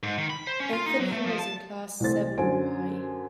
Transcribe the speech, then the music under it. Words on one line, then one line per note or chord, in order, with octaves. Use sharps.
Anthony was in class seven Y.
G#2
D#3
B5
C5
C#4
F4
D#4
F#3
A3
F3
A5
C2 E3 A3 C5 A6
F#2 D3 C#4 C5 G#5 D7